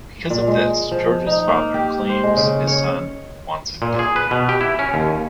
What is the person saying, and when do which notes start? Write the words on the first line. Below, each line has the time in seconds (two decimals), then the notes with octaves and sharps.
Because of this, Georg's father claims his son wants him dead.
0.30 A#2
0.47 G#3
0.91 F3
1.26 D#4
1.48 A#3
1.74 G4
2.09 C5
2.23 G#3
2.37 C#3
2.67 C#5
3.82 A#2
3.99 G#4
4.16 B4
4.31 B2
4.49 G4
4.61 E4
4.79 C#4
4.94 D#2